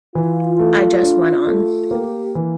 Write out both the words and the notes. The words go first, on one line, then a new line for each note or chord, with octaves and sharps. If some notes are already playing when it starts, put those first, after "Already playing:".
I just went on.
E3 F4
A3
D4
A3
A#3 G4
E3